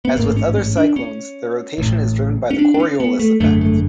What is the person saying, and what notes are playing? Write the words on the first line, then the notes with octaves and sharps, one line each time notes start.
As with other cyclones, their rotation is driven by the Coriolis effect.
B3
A1 G#2 A#3
C#4
C#4
D4
C#4
A1 A2
C#4
D4
D4
C#4
B3
A3
G#1 F#2 D3 A3
A3